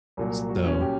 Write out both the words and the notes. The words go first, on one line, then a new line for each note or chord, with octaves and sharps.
s so,
C2 A#2 F#3
F#4
C#4
G4